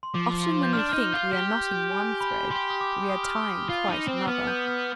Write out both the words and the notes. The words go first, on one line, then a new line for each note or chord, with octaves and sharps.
Often when we think we are knotting one thread, we are tying quite another.
C6
F3 D6
C6
G6
D4 F6
F6
D#4 G6
F4 G6
G4 F6
G6
G6
G#5
B5
G4 C6
D#6
D6
D#6
F6
D#6
F4
D#4
C4
B3 F6
G6
F6